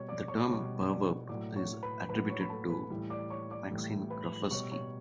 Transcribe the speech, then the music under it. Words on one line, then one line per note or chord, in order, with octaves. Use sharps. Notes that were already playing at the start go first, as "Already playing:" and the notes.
The term perverb is attributed to Maxine Groffsky.
Already playing: B2 G3 C#5 C#6
D5 D6
C#5 C#6
D6
B2 G3 C#5 C#6
D5 D6
A2 F#3 D5 D6
C#5 C#6
B4 B5
A2 F#3 B4 B5
C#5 C#6
B5
A4 A5
B4 B5
A2 E3 G3
D5 D6
C#5 C#6
D5 D6
A2 E3 G3
B4 B5
B2 G3 C#5 C#6
C#5 C#6